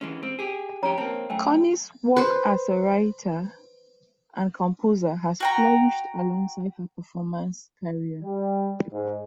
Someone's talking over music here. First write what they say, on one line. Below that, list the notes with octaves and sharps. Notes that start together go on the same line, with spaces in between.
Connie's work as a writer and composer has flourished alongside her performance career.
E3 G#3 C#4
C4
G4 G#4
F2 C#4 G4 C#5 A#5
A#3 C4 A5
F#2 A3 G5 G#5
B4 C5
F#4 G5 A#5
G3
G#2